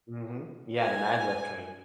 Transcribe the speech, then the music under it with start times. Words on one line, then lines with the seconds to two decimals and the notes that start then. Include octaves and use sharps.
Mhm. Yeah, the maglev train.
0.79 G#5